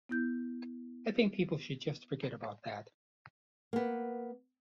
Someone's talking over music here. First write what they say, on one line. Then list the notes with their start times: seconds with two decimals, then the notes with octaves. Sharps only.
I think people should just forget about that.
0.09 B3 E4 G6
3.73 A#3 B3